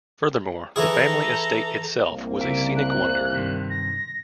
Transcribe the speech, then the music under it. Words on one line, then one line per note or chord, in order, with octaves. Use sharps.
Furthermore, the family estate itself was a scenic wonder.
E3 E4 G#4 A4 A#5
C2 A#3
C#3 E5 D7
F#6
G2 C3 D#3
A#6